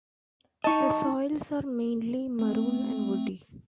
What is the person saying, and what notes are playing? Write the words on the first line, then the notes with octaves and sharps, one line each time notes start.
The soils are mainly maroon and woody.
D#4 D#5 A5 C#6
A3 C4